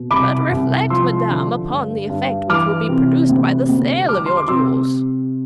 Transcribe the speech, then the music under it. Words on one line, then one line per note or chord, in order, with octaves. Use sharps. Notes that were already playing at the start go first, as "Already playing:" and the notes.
"But reflect, madame, upon the effect which will be produced by the sale of your jewels."
Already playing: B2
C2 B5 D6
C2
F3 C6 E6
D3
G2
G2
E3 D6 F6
C3
D2
D2
G3 D6 F6
C6
D6
C3 C6 E6